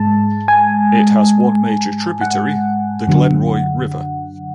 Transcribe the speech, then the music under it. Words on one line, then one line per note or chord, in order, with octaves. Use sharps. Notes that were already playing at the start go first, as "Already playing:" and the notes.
It has one major tributary, the Glenroy River.
Already playing: G#2 G#3 A5
G#5
F#5
F#2 D3 F#3